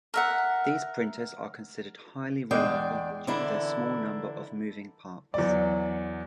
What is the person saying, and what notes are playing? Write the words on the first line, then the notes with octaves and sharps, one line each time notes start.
These printers are considered highly reliable due to their small number of moving parts.
A#4 E5 F#5
E2 G#3 D4 D5 G5
D3 E3 D4 E4 A#4
E2 F#3 D5